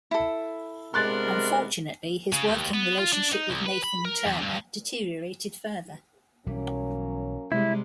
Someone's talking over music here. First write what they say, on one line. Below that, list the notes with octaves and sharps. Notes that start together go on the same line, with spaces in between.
Unfortunately, his working relationship with Nathan-Turner deteriorated further.
E4 A4
C3 G#3 B3 D4 A#4 C6 F#6 A6
C#3
D#2
B3
F4
D4
D#4
C2
B4
B5
A#4
E2
G2
B1 E3 F#3 G3 A#3 C#4
C3 G3 G#3 E4